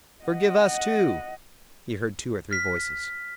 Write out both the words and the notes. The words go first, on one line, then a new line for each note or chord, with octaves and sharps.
"Forgive us too!" he heard two or three voices.
D#5 F#5
F6 B6